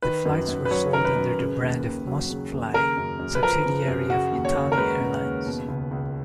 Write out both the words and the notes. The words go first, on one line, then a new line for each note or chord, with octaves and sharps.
The flights were sold under the brand of MustFly, a subsidiary of ItAli Airlines.
D#3 B4
F#2
F#2
B4
F#3 C#5
D#3 A#4
B4
F#2
C#3
D#2
D#2
F#3
C#3
D#2
C#3 A#4
F#2
F#2
B4
F3 A#4
C#3
F#2
C#3 F#4
D#2
C#5
D#2
A#4
G#3 B4
C#3
D#2
B2
C#2
C#2